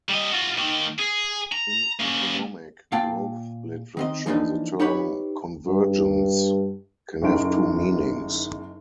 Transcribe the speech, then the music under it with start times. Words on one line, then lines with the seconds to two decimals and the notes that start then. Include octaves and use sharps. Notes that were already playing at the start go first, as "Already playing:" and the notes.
In economic growth literature the term "convergence" can have two meanings.
0.09 G3 D#5
0.31 F4 F#4
0.57 D#3 A#3
0.99 G#4
1.52 A#5
2.00 A#3 C#4
2.92 A#2 F5 G5 A5
3.97 D#3 C4 D#5
4.26 E3 F3 A#3 C4 D4 D#4
4.80 D#4 G4 B4 C#5 B5
5.66 G2
7.22 F#1 B1 F#2 D7